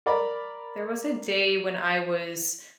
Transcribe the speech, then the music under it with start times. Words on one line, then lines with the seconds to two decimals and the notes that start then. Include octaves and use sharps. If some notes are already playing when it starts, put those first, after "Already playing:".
There was a day when I was
0.06 A#4 D5 A#5 B5